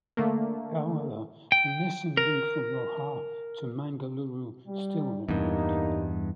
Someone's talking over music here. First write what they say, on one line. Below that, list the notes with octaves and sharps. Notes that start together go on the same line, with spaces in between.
However, the missing link from Roha to Mangaluru still remained.
D3 A3 A#3
G5
A#4
G3
E2 G2 G3 A#3 D#4